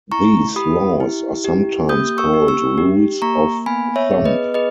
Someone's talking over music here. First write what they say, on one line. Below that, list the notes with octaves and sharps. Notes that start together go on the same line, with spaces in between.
These 'laws' are sometimes called rules of thumb.
E4 A#5 C#6
G4 B5 D#6
E4
G4
A#3 D#6 G6
C#6 E6
G4
C#6 E6
G4
A#3 A#5 C#6
B3 G#5 B5
C#5 E5
G#4
B4 D#5
G#4 B4 D#5